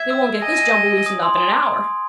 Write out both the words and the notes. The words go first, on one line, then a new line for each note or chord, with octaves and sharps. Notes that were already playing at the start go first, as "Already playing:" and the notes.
They won't get this jumble loosened up in an hour.
Already playing: E5 G#6
E6
E6
D#5 G#5
G#5
G#5
G#5
D#6
C6
G#5